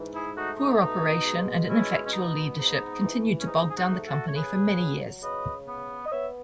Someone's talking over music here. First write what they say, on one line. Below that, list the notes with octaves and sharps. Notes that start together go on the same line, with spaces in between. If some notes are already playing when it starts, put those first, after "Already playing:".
Poor operation and ineffectual leadership continued to bog down the company for many years.
Already playing: G#2 E3
E4 G#4
A3 D#4 F#4
D#4
B2 D#4
G#3
B2 C#4 E4
C#4
B3 D#4
G#2 D#4
E3
C#4
G#2 D#4
G#4
D#4 F#4
A3
F#4 A4
C#5
C#3 G#4 B4
F#3
C#3 B4 D#5
B3
D#5
B3 C#5 E5